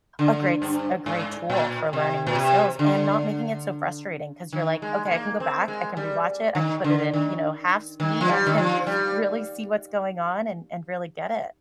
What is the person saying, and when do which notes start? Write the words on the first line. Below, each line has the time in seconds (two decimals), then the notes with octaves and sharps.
a great s a great tool for learning new skills and not making it so frustrating 'cause you're, like, "Okay, I can go back, I can rewatch it, I can put it in, you know, half speed, I can really see what's going on and and really get it."
0.19 D3
0.62 G2
1.06 G#2
1.50 A#2
1.93 C3
2.27 A#2
2.35 C3
2.79 D3
4.53 D#3
4.82 G#3
5.05 G#3
5.11 A#3
5.40 C4
5.68 G#3
5.97 G3
6.55 D#3
6.84 D3
7.14 D#3
8.00 D#3
8.21 F3
8.29 G3
8.47 D#3
8.58 F3
8.87 G3